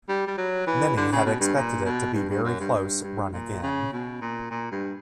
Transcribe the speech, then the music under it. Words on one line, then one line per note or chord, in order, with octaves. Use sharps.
Many had expected it to be very close run again.
G3
G3
F#3
E3
D3
C#3
B2
G2
A#2
B2
G2
G2
F#2
G2
G2
G2
A#2
C#3
B2
A#2
A#2
G2